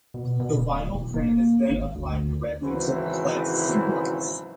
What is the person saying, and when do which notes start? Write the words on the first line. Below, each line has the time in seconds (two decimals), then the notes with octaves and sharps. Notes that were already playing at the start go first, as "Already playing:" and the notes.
The vinyl print is then applied directly to plexiglass.
0.14 B2
0.40 B2
0.58 D1
0.92 E1
1.14 A#3
1.70 G#1
1.95 D2
2.63 G#1 C#3 E3 F#3 E4 C5